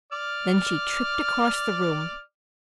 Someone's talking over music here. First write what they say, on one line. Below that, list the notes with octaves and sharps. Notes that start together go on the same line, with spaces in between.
Then she tripped across the room.
D5 D6 F6